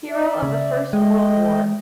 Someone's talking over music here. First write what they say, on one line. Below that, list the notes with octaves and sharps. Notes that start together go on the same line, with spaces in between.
Hero of the First World War.
D5 E5
C#3
G#3 A3 D#5 G5